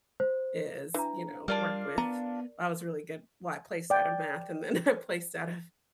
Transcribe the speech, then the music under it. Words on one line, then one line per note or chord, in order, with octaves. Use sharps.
is, you know, work with I was really good well, I placed out of math and then I placed out of
C5
E3 D4 A#5
G3 D4 F4 A#4 D5 F5
B3 A#5
D5 G5